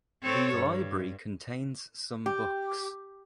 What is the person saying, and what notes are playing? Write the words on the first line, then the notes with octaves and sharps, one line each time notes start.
The library contains some books.
C4 A4 C#5
G2
G4